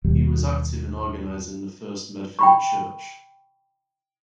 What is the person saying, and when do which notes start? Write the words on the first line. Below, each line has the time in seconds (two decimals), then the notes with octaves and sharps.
He was active in organizing the first Medfield church.
0.04 D#2 B2 G3
2.39 G5 B5 C#6